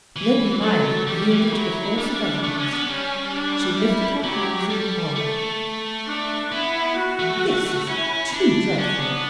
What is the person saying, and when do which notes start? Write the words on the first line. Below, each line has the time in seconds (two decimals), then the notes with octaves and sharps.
Lady Myrie yielded to the force of evidence; she lifted her hands in horror: "This is too dreadful!"
0.16 E3
0.61 F#3 A4
1.07 G3 G4
1.30 E3
1.53 F#3 E4
1.98 G3 D4
2.43 A3
2.59 C#4
2.74 B3
2.88 G3 C#4
3.33 D4
3.79 E4
4.24 F#3 G4
4.70 G3 A4
5.15 A3 A4
6.06 D4
6.52 B3 E4
6.97 F#4
7.19 A3
7.88 C#4 E4
8.33 D4
8.78 C#4 D4
9.01 B3